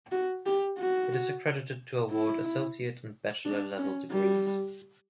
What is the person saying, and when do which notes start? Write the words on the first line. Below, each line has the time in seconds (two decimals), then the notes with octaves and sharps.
It is accredited to award Associate and Bachelor-level degrees.
0.12 F#4
0.46 G4
0.79 F#4
2.11 E4
3.45 D4
3.78 C#4
4.11 G3